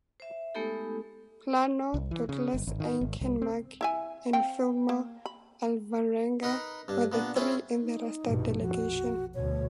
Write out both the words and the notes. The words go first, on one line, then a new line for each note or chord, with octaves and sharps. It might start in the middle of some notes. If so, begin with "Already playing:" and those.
Planno, Douglas Aiken Mack, and Fillmore Alvaranga were the three in the Rasta delegation.
C5 E5
G#3 A3 B3 D#4 G4 A4
C2
E3
C#3
G1
G#1
D#3
G#1
C2
C4
E4 E5 G#5
C4 F5 G5
A#3
B5
D#4 A#4 B4 D#5
G2 D4
A#2 B3 D4
C4 C#4 E4 F4 G#4
D#4
A#1 G2 B2
F2 F#4
D2 B2 C#5